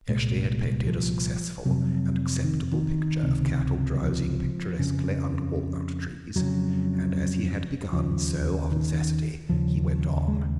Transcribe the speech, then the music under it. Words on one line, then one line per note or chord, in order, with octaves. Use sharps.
Eshley had painted a successful and acceptable picture of cattle drowsing picturesquely under walnut trees, and as he had begun, so, of necessity, he went on.
C2 A#2 G#3
F3
F2 C3 F#3
D#3
D#3
C#2 C3
F#3
F3
F2 C#3
F2 C#3 F#3
D#2 C#3 F3
D#3
D#2 C#3 F3
G#3